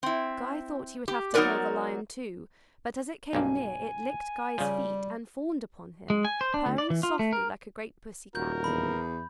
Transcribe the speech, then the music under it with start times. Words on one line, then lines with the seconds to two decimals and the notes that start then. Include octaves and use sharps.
Guy thought he would have to kill the lion too, but as it came near it licked Guy's feet and fawned upon him, purring softly like a great pussy-cat.
0.03 C4 E4
1.08 G4
1.34 F#3 B3 D#4 A#4 B4 D5
3.33 B1 G2 A#3 G#5
4.58 C#3 F3 G3
6.10 G#3
6.25 G#5
6.41 C5
6.54 D4
6.66 D2
6.78 D5
6.90 E3
7.03 F4
7.19 A3
7.33 A#4
8.35 D#1 F#4 A#4 G6
8.64 E2 B5